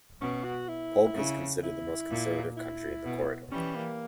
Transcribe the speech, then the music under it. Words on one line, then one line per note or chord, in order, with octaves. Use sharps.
Polk is considered the most conservative county in the corridor.
B2 C#4
F#4
E4
C#3
E4
A#2
E4
B2
E3 G3 C#4
A#3